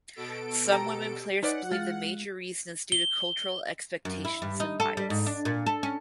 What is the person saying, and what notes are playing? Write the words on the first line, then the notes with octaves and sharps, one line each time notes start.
Some women players believe the major reason is due to cultural expectations and bias.
B2 A4 D7
G4 G5 A#5
C#4 D#4 B4 D5 F#5
G#3 F4
G7
F#2
E4
G2
D#4
A4
G3
G#2
D4
A#2
A4
C#4